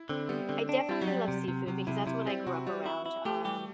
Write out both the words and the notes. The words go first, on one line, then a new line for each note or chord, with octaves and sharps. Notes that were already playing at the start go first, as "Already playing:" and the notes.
I definitely love seafood because that's what I grew up around, um,
Already playing: E4
D3 C4
G3 B3
D3 C4
D4
G3 C4
F#3
G3
F#3
C3
C3
C3 F#3
C3 E4
C3 E4
G3 C4
C3 F#4
G3 F#4
E4
E4
A3 G4
G3 G4